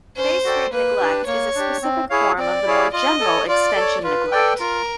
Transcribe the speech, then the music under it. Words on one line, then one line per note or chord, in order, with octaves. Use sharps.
Base rate neglect is a specific form of the more general extension neglect.
C#4 C5
F#4 A4 D5 G5
A#3 B4
D4 G4
A#3 C#5
D4 G4
C4
E4 G#4 C#5 F5
C4 D5
E4 G#4 C#5 F5
F4 D#5
A4 C#5
F4 D5
A4 C#5
F4 B4
A4 D5 G5
F4 A#4